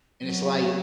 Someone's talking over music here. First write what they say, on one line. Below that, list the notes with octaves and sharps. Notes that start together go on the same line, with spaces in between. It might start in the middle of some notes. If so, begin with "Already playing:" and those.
And it's like
F#3